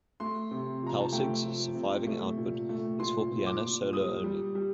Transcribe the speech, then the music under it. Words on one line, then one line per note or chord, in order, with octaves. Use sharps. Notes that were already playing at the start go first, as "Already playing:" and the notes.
Tausig's surviving output is for piano solo only.
A3 C6
C3
F3 A#5
A5
A3 G5
F3
C3
A3
A#2
A3
A#2 C6
A#2
D6
A#2
G3 D#6
G3
G3